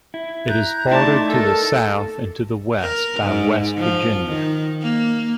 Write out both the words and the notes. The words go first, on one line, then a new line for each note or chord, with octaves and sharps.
It is bordered to the south and the west by West Virginia.
E4
A#5 F#6 G6
A3 D#4 E4 D5 A5 C6 D6
A4 A#4 A5
A#4
G#2
F3
D#3
A#3